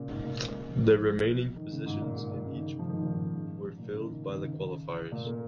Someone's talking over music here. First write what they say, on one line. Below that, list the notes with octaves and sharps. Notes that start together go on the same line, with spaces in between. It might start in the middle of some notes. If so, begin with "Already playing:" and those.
The remaining positions in each pool were filled by the qualifiers.
Already playing: A#2 C#3
G#2
A#2
C#3
G#3
G#3
F3
D#3
C#3
G#2
A#2
G#2
A#2
C#3
D#3
D#3
F3
D#3
A#2
G#2
G#2
A#2
C#3
D#3
C#3
D#3
C#3
A#2
A#3